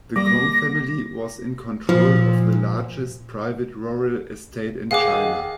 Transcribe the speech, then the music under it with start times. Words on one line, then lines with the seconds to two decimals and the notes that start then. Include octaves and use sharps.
The Kong family was in control of the largest private rural estate in China.
0.16 G3 A#3 D6 A#6
1.89 A#2 F3
4.91 D#3 G#4 F5 F#5 D6